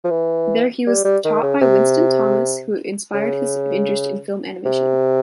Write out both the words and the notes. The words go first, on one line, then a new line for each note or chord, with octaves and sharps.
There he was taught by Winston Thomas who inspired his interest in film animation.
F3
E3
G3
G3
D#3
C#3
C3
C#3
C3